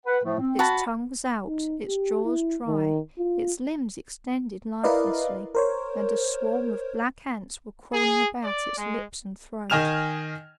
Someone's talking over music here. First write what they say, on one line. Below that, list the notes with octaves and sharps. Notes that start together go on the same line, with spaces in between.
Its tongue was out, its jaws dry, its limbs extended lifelessly, and a swarm of black ants were crawling about its lips and throat.
B4 F#5
A2 F3 A3
C4
F#4 A5 B5
D#4
G4
E4
D#3
F4
E4 A#4 B4 D5 D#5 F5
A#4 C5 C#5
G#4
D5
G#3
D#3 D#5 G#5 F6 E7 F7